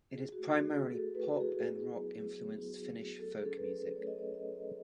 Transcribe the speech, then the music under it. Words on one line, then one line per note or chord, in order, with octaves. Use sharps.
It is primarily pop- and rock-influenced Finnish folk music.
E4 G#4
F#4
A3
F#4
A3
G#4
A3 A4
E4 B4
F#4
E4 G#4
B3
F#3
F#3
B3
F#4
F#3
A3 A4
G#4
C#4 A4
B4
A3
A3 C#5
D#5
C#4 C#5
D#5
A3